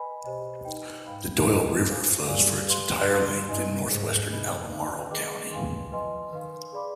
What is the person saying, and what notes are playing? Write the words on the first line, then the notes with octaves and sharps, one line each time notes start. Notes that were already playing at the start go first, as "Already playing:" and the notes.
The Doyles River flows for its entire length in northwestern Albemarle County.
Already playing: B4 D#5 G#5 B5
B2 G4 C5 D#5 G#5
D#4 B4 D#5 G5
G#2 B4 F5 B5
C5 D#5 G#5 D6
C5 F5 G#5
G2 G4 D5 F5 G#5
G4 B4 F5 C6
G2 B4 F5 C6
G2 D#4 B4 D#5 G#5
G#2 G#4 C5 D#5
C3 D#4 B4 D#5 G#5 B5
D#4 B4 F5
D#3 G#4 B4 D#5 G5 D6
D#3 B4 F5 G#5 C6
F3 B4 D#5 G#5 C6
D#3 B4 F5 C6
G#4 D5 F5 B5 D6